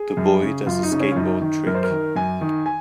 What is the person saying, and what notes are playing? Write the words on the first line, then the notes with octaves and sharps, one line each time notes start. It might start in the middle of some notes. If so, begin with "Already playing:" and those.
The boy does a skateboard trick.
Already playing: G#4
F#2
C#3
F#2 F4
D#4
C#3
C#4
F4
F#2 D#4
D#3
F#2 A#4
C5
A#4
D#3
F#2 G#5
D#3
G#5